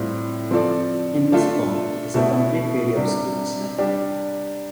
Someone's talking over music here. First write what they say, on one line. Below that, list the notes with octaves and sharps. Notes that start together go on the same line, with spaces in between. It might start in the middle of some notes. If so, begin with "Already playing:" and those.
In this form it is a complete theory of civics.
Already playing: A2 G3 C4 F4
F3 C4 F4 A4 D5
A3 D4 F4 A4 E5
B2 A3 E4 A4
C3 G3 D4
G3 D4 G4